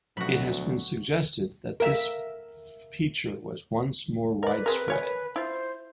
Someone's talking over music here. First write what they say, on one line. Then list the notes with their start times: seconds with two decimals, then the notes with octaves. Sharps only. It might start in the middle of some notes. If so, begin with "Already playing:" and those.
It has been suggested that this feature was once more widespread.
0.17 D2 B2 F3 F#3 F#4 B5
1.80 A#4 E5
4.43 A#4 B4 D5
4.66 C4 G#4 A#4
4.88 A#4 C#5 G#5
5.36 E4 F4 C5